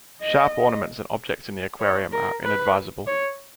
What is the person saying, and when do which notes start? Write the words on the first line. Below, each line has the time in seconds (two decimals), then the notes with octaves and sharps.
Sharp ornaments and objects in the aquarium are inadvisable.
0.21 D#5
1.80 C#5
2.12 A#4
2.44 B4
3.07 C#5